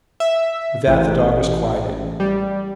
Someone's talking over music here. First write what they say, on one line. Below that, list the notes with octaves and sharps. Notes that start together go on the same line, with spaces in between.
With that the dog was quieted.
E5
A1
G3